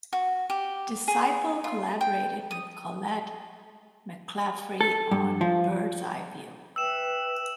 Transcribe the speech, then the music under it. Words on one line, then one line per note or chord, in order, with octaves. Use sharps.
Disciple collaborated with Collette Mclaffery on "Birdseye View".
F#4
G4
G#4
F4
G5
D#6
A4
G2
F3
B4 E5 G5 E6 E7